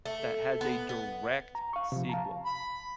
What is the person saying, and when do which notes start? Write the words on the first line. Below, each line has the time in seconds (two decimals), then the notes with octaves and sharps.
that has a direct sequel.
0.06 A3
0.61 B3
0.89 B3
1.55 A#5
1.73 F5 C#6
1.92 C3 F3
2.09 F5 A5 A#5
2.46 B5